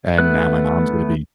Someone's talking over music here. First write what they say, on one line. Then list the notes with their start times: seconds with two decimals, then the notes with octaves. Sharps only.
And now my mom's gonna be
0.18 A3 B3 B4 F#6